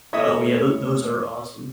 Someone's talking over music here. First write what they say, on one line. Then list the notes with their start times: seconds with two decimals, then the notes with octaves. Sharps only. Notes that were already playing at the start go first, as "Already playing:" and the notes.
Oh yeah, tho those are awesome.
0.13 D#2 A3 E4 C#5 D#5 E5 D#6